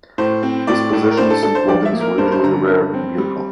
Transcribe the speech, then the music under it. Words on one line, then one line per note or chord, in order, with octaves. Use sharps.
His possessions and clothings were usually rare and beautiful.
A2 C5
C4
A2 D5
A2
A#4
D4 C5
A4
D4 A4
C5
F3 D5
E5
A#3
A#4
G2 C5
A#4
C5
D3 A#5
G2
C4
G3